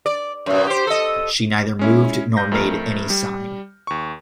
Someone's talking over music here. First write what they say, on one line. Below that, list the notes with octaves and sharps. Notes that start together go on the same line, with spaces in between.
She neither moved nor made any sign.
D5
F#2 B2
G4 C5
A4 D#5
G#3 C#4 E4
G2 G6 A#6
F2 A3 A#4 A#5 F6
G3
D#2 C#6